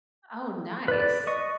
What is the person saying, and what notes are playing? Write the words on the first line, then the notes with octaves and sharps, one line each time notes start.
Oh, nice.
B4 D5
D#5 C#6